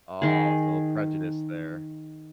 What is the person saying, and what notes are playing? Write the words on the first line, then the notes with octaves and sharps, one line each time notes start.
Oh, it's a little prejudice there.
D#3 G#4